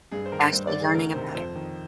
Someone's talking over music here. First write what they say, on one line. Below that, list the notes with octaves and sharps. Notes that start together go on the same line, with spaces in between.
Actually learning about it.
G2 G#4
C5
D#3 A#4
G2 C5
D5
D3
G#4
D2 A#4
C3 D#3 C5
F2 C5
D#3